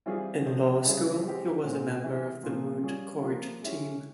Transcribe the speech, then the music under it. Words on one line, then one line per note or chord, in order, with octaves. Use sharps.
In law school he was a member of the moot court team.
E3 G3 C4 F4 G#4
C3 F3 C4
C#3 G3 C4 E4 G#4
G#3 C4 G4
A#2 G#3 C4
C3 E3 G#3
A#2 F3 A#3 F4
G3 C#4 F4 G#4
F3 A#3 F4
G#3 C#4 E4 G4